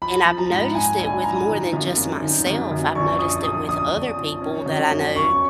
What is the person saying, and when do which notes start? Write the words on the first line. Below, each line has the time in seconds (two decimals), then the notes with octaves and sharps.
and I've noticed it with more than just myself, I've noticed it with other people that I know,
0.02 F3 B5
0.25 F3
0.38 A#5
0.50 G#2
0.75 F3 G#5
0.99 A#1 G#5
1.23 F3 A#5
1.49 D#3
1.73 F#2
1.98 F#2
2.22 D#3
2.47 F#2
2.71 F#2
2.95 A#1 C#6
3.19 F3 D#6
3.44 A#1 D#6
3.68 A#1 D#6
3.93 A#1
4.18 F3
4.42 C#4
4.66 F#2
4.92 F#2
5.15 C#4 C#6